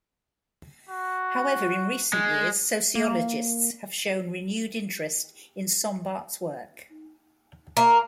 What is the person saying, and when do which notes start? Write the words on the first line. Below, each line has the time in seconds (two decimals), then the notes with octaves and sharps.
However, in recent years sociologists have shown renewed interest in Sombart's work.
0.89 F#4
2.13 G#3
2.95 A#3
7.77 A#3